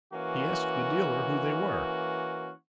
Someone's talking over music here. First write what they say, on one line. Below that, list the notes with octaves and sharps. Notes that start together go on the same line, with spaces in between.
He asked the dealer who they were.
E3 A#3 C#4 F#4